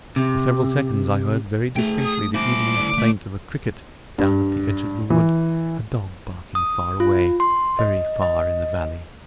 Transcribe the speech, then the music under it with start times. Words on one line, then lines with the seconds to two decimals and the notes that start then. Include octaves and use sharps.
For several seconds I heard very distinctly the evening plaint of a cricket down at the edge of the wood, a dog barking far away, very far in the valley.
0.16 C3
1.76 A3 G#4 G5
2.05 D#6
2.34 E4 C5 D6
2.76 D3 F#6
2.99 A3
4.18 G2
5.10 E3
6.55 D#6
7.00 F4
7.40 C6
7.79 D#5
8.22 D#5